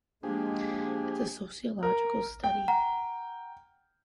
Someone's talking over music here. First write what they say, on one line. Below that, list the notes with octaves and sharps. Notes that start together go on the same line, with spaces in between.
It's a sociological study.
F3 G#3 A#3 D4 G4 G#4
A#4
G5
F#5 A#5